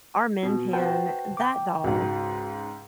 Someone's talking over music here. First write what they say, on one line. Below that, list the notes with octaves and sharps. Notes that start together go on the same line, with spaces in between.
our Min Pin, that dog,
B2
F#4 B4 C5 G5 A5
G5 D6
C#2 G#2 F#4